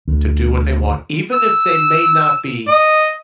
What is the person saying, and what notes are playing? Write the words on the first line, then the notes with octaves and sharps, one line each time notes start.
to do what they want," even if they may not be
D2
E6
D#5